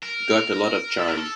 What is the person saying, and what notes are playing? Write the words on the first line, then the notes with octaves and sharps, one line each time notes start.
Got a lot of charm.
A#4
A4
A#4
A4